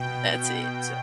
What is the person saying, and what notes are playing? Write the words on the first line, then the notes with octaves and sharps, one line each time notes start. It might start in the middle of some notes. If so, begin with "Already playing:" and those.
That's it, so
Already playing: B2 G5
B2